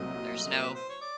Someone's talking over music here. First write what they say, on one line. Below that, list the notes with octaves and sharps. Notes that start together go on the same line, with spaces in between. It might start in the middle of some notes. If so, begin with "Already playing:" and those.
There's no
Already playing: C2 A#2 F#3 A3 C4 D#5
A#4
B4
C5
C#5
D5